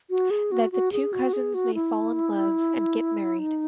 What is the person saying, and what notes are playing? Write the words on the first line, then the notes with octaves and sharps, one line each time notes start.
That the two cousins may fall in love, and get married.
F#4
G#4
F#4
F#4
G#4
F#4
G#4
F#4
E4
D#4